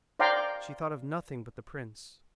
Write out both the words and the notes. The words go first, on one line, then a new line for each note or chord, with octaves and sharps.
She thought of nothing but the prince.
C5 D5 F5 G5 A#5 C6